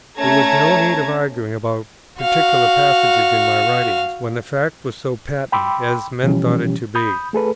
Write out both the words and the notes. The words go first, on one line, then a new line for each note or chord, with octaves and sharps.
There was no need of arguing about particular passages in my writings, when the fact was so patent, as men thought it to be.
A3 C#4 A5 A#5 G#6
F#4 F5
G5 B5 C6 D6 E6
B2 E3 F3 G3 C#4 G4
B5 D#6 G6
A3 G#4 A4 B4